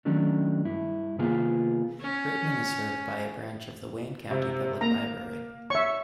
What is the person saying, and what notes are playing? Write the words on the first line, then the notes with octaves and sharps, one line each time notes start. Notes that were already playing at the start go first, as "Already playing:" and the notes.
Rittman is served by a branch of the Wayne County Public Library.
D#3 F#3 A3 C#4 D4
G2 E4
C3 D#3 A#3 B3 F4 G#4
C#4
C3
A#3 A#5
C#5 E5 C#6